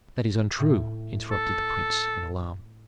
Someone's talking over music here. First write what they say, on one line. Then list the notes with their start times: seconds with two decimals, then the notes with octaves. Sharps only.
"That is untrue!" interrupted the prince, in alarm.
0.59 A2
1.31 A4